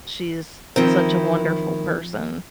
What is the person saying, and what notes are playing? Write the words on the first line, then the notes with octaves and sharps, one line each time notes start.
She's such a wonderful person.
D#3 F3 C4 E4